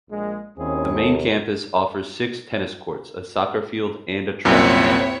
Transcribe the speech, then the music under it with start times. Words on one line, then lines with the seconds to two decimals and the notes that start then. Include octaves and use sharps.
The main campus offers six tennis courts, a soccer field and a track.
0.10 A#1 G#3
0.58 D#2 C4 C#4 E4 G#4
0.95 A4
4.45 C2 F#2 A#2 C4 E4 C#5